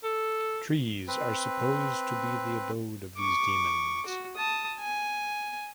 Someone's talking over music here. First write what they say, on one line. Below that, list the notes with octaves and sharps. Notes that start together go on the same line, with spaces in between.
Trees are supposed to be the abode of these demons.
A4
C4 B4
C#6 D6
F#4
A5 D#6
G#5